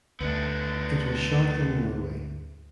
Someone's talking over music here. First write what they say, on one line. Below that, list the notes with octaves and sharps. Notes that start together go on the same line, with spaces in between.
It was shot in Norway.
D2 A3 B3 D4